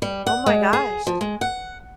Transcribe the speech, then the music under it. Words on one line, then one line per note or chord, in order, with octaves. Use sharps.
Oh my gosh.
G3
F#5
G#3
G#4
F3
G#3
F#5